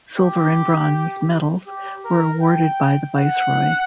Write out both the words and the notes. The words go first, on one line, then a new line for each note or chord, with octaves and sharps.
Silver and Bronze medals were awarded by the Viceroy.
G4
G4
A#4
G5
F#5